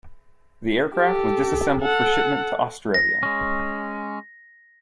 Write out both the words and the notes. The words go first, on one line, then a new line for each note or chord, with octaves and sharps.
The aircraft was disassembled for shipment to Australia.
G4 A4
A4 F#5
A#6
G#3 C#4